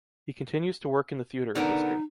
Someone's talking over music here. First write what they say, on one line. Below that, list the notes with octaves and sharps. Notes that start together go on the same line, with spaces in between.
He continues to work in the theater industry.
D3 B3 D#4 A#4